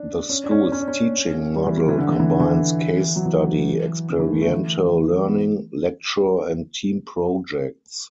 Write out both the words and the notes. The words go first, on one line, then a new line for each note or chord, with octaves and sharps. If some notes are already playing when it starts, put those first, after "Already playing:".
The school's teaching model combines case study, experiential learning, lecture and team projects.
Already playing: C#4 D4
C#4
D4
C#4
C#4
D4
C#4
G3
E3
E3
E3
D3
E3
E3
D3
E3
F#3
E3
D3
E3
A3
A3
D3
E3
B3